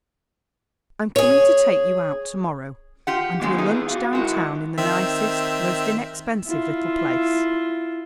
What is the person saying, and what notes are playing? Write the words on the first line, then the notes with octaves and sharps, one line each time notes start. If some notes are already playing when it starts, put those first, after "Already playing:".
I'm coming to take you out to-morrow, and we'll lunch down town in the nicest, most inexpensive little place.
G#4 C#5
F4 G4 F#5
D#3 F#3 G#3 A#3 C4
B3 D#4 F4 G#4
F#4 F5
D#3 G#3 E4 F#4
D#3 C4 E5
E4 F4